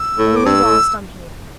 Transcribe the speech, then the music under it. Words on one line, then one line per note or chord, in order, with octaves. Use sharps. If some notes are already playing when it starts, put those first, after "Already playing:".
'Only whilst I'm here.'
Already playing: E6
A2
D6
G2 E6
A2